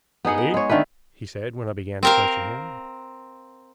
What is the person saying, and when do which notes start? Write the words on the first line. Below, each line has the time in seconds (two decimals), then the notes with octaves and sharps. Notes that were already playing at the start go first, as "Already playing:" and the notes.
"Wait," he said when I began to question him.
0.25 B3 D#4 G#4 F#5
0.38 F#5
0.54 G#3 C#5
0.69 D3 D#3 A3 B4
2.03 C4 A#4 F5